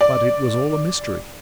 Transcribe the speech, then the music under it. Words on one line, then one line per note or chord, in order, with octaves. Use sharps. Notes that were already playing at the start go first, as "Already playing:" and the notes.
But it was all a mystery.
D5